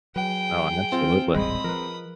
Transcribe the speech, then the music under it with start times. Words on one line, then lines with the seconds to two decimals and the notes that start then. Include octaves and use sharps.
No, and absolutely.
0.16 F#3 G#4 B4 G5
0.92 C4 F4
1.34 D#1 A1 G3 G#3 B5 D#6
1.64 F3 A#4 B4